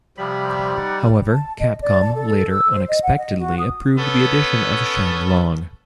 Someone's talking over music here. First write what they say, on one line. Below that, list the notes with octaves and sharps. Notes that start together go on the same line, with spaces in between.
However, Capcom later unexpectedly approved the addition of Sheng Long.
C3 F3 G3 B5
D#4 D5 F#5
A5
D#5
D5
A5
A4
E6
C5
D#5
F#5
D#5
F#4
D#6
B3 C#4 A4